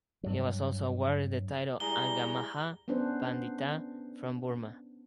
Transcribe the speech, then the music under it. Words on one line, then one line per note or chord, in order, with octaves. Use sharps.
He was also awarded the title "Aggamaha Panditha" from Burma.
G2 F#3
G3 G#3 E4 G#4 A#5 G7
B3 C#4 D4 B4 C5